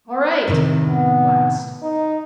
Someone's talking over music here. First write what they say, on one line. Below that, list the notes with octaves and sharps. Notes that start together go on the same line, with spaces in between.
"All right!" at last.
A2 C3 D#3
B3
D#4